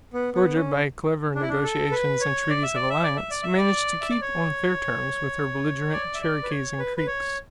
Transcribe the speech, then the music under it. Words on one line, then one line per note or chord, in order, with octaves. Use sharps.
Georgia, by clever negotiations and treaties of alliance, managed to keep on fair terms with her belligerent Cherokees and Creeks.
B3
B3
C#4
D4
E4
D4
A4
B4
C#5
D5
E5
D5
E5
D5
E5
D5
E5
D5
E5
D5
C#5
D5
E5
D5
B4
C#5
B4
B4
C#5